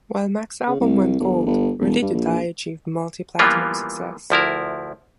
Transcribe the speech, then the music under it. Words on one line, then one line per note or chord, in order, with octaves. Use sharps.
While Mack's album went gold, "Ready to Die" achieved multi-platinum success.
C#3
C2
G1
G1
E1
G2
A#1
E3 F3 G3 A#3 B3 F4
D2 F3 E4 A#4